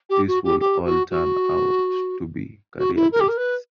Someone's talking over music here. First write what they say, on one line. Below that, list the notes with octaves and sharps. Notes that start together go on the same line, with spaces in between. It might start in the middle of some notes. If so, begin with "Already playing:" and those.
These would all turn out to be career bests.
G4
F#4
G4
G4
F#4
F#4
F#4
E4
A#4
G4
A#4
B4